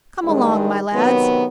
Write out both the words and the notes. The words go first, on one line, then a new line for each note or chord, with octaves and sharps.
Come along, my lads.
G2 D#3 G#3
C3 D#3 F#3 B3